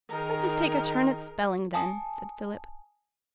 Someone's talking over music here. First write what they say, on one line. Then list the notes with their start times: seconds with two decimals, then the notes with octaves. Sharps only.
'Let us take a turn at spelling, then,' said Philip.
0.11 D#3 D#4 G#4 A#4
1.74 G#5 A5 D#6